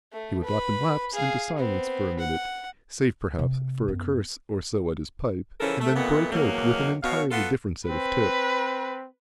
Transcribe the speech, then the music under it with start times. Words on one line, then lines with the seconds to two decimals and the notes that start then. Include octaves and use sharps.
He would lapse into silence for a minute, save perhaps for a curse or so at his pipe, and then break out with an entirely different set of tips.
0.13 A3
0.44 B4 B5
1.13 G#4 F5
1.58 B3 C4
2.19 F#5
3.39 C3
3.88 F#2 B3
5.60 C#3 E3 F3 C#4 A4 A#4
5.80 A3
5.96 F2 A#2 D#3 A3 B3
6.32 E2 B2 D#3 F#3 A#3
7.03 B2 C#5 F5
7.31 B3 F4 F#4 A4
7.89 C4 B4